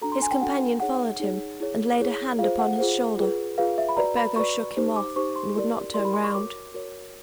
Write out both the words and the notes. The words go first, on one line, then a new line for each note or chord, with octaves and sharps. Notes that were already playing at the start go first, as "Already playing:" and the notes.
His companion followed him, and laid a hand upon his shoulder; but Burgo shook him off, and would not turn round.
D4 F#4 A4 A#5
C6
G#5
G5
D4 F#4 A4 F#5
D#4 G#4 C#5 F#5
D#4 G#4 C#5
E4 G#4 C#5
E4 G#4 C#5
F4 G#4 C5 F5
F#5
F4 G#4 C5
F4 G#4 B4
F4 G#4 B4 F5
E5
B5
F#4 B4 D5 A#5
B5
F#4 B4 D5 C#6
D#4 G4 C5
D6
D#4 G4 C5 C#6
C6
E4 G4 A#4 D5
E4 G4 A#4 D5 C6
B5
C6
C#6
F#4 A#4 C#5 D6
F#4 A#4 C#5